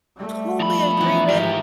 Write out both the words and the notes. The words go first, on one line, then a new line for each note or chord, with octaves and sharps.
totally agree with,
G3 A3
B2 F3 B5
E3 D#4
G#2 D#3 G4 A#4